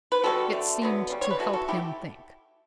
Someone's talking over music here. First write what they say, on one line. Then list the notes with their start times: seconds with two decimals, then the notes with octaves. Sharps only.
It seemed to help him think.
0.12 B4
0.23 D3 G3 B3 F#4 A4
0.53 D3 A3
0.82 D3 F#3 B3
1.10 C#3 G3
1.21 C#5
1.30 B4
1.39 E3 A3 F#4 A4
1.53 F#4 A4
1.68 F#3 A3 E4 G4